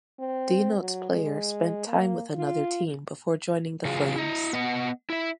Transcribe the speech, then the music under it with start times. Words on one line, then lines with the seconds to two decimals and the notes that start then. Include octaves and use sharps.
Denotes player spent time with another team before joining the Flames.
0.19 C4
0.79 F#3
1.11 G#3
1.87 A#3
2.34 F4
3.85 C#3 E3 F#3 F4 G#4
4.16 E4 D#5
4.53 B3 D#5 F#5
5.10 E4 E5